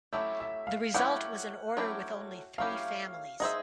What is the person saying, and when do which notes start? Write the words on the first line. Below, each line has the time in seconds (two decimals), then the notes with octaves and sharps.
The result was an order with only three families.
0.13 F#3 A3 C#4 E4 G4 E5
0.40 E5
0.67 F5
0.94 F#3 A3 C#4 E4 G4 F#5
1.77 F#3 A3 C#4 E4 G4
2.58 F#3 A3 C#4 E4 G4 F5
3.40 D#4 G#4 C5 D#5 E5